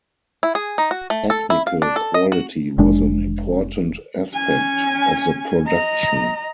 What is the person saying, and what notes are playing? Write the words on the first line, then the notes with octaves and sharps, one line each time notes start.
Technical quality was an important aspect of the production.
E4
G#4
D#4
F#4
A3
A4
E4
F5
D4
A4
D#5
F#4
F1 G#3 D4
C#4 G#5
D#5 A#5